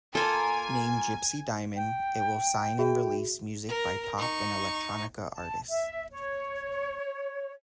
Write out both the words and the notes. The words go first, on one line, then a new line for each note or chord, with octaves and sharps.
Named Gypsey Diamond, it will sign and release music by pop and electronica artists.
A#3 F4 A4 G#5
G5
F#4 G#4 E5
A#4
D#4 C#6
A5
E5
C#5